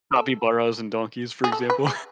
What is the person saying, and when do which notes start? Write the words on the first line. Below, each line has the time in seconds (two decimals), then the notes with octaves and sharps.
capibaras and donkeys, for example.
0.16 A4
1.44 G#4
1.52 A4
1.70 B4
1.87 G#4